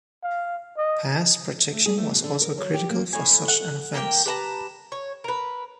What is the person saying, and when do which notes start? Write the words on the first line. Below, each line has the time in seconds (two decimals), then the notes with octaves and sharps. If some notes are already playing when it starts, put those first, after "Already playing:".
Pass protection was also critical for such an offense.
0.23 F5
0.77 D#5
1.73 A3
1.86 G#4
1.98 A3
2.11 B2
2.24 D3
2.42 A#4
2.58 F#3
2.74 G4
2.90 A#3
3.13 A2 G#5
3.48 F#5
3.94 A#3 G4 G#4 G5
4.26 G4 B4 A5 A#5
4.92 C#5
5.24 A#4 B4